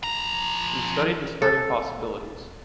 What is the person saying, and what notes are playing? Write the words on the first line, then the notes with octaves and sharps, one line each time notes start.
We’ve studied spreading possibilities.
F3 A#5
A4